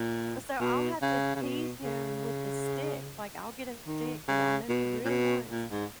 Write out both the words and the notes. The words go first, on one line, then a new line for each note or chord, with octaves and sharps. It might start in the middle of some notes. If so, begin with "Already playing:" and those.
So, I'll have to tease him with the stick. Like, I'll get a stick that I know he really wants,
Already playing: A#2
B2
C#3
C#3
B2
C#3
D#3
C#3
B2
A#2
B2
A#2
G#2